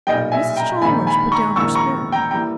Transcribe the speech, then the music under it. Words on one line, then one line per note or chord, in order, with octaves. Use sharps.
Mrs. Chalmers put down her spoon.
B1 A#2 G3 D#5 G5
E5 G#5
G5 A#5
A#1 G#2 D#3 A#3 D#4 G#5 B5
G#5 B5
A#5 C#6
A#1 G#2 D#3 A#3 E4 C#6 E6
A#5 C#6
G5 A#5
E3 G3 A#3 G5 A#5